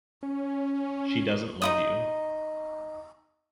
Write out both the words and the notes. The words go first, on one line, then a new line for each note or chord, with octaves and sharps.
She doesn’t love you.
C#4
D#4 E4 D#6